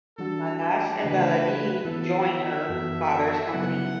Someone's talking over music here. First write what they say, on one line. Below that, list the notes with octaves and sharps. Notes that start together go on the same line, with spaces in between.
Manas and Vaidehi join her father’s company.
E3 G3 D4 F#4 A4
G4
C#3 E3 A3 D4 B4
E3 B3 E4 A4
E5
F#2 E3 B3 F#4 A4
C#3 F#3 B3 E4 F#5